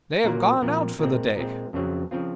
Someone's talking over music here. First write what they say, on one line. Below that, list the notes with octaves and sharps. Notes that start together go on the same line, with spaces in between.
They have gone out for the day.'
A#2 F#3 A#3 F4 A#4
A#2 F3 C4
A#2 G#3 C4
A#2 G#3 C4
F2 C#3 F#3 C4
C#3 F3 C4 F4